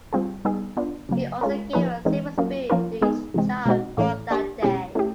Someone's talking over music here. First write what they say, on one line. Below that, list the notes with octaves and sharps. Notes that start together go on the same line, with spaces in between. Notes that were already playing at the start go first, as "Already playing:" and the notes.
He also gave a silver spoon to each child born on that day.
G3 C4 F4 G#4
G3 B3 D#4 G#4
B3 D4 F4
C#3 F#3 A#3
G#3 C#4 F4 A#4
F3 A#3 D#4 G#4 B4
E3 G#3 C4 D#4
F#3 A#3 C#4 F4
F3 A#3 C#4 F4 A#4
G#3 B3 D#4 G#4
C3 E3 G#3 C4
B2 G#3 C4 D#4 F#4
A2 E3 A3 C#4
A#3 D4 G4
B2 G#3 C#4 E4 G4
A3 C#4 E4 G4